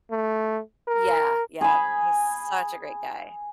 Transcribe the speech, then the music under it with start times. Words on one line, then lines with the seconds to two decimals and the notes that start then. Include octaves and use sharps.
Yeah, yep, he's such a great guy.
0.11 A3
0.88 A#4
1.61 G#4 B5